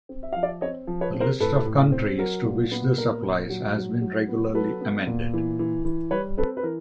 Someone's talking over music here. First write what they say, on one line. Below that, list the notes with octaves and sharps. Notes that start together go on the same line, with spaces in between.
The list of countries to which this applies has been regularly amended.
C4
E5
F3 F5
D5 E5
C4 C#5 D#5
F3
B4 C#5
C4
A#4 C5
A2 A4 B4
A2
C4
F#3 A#4
A#2
B3
A#2 A#4
A#2
F#3
F#3
F#3
B3
F#3 A4 B4
B3
A#2
E3
E3
E3
G3 B4 C#5
C4 A4 B4
B4
E3 A#4